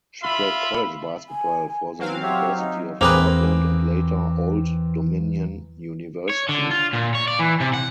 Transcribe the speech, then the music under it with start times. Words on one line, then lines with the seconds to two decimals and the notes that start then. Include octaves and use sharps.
She played college basketball for the University of Portland and later Old Dominion University.
0.22 F4 E5 B5
1.29 G#5
1.99 F#3 C4 B4 F5
2.23 G4 C#5 E5 F#5
2.57 D#4 D#5
3.01 E2 E3 A#3 C4 G#4 B4 D6 F7
6.30 C#5
6.49 D3
6.71 F4
6.93 A#2
7.15 C#5
7.28 D5
7.39 E3
7.60 C3
7.73 F#5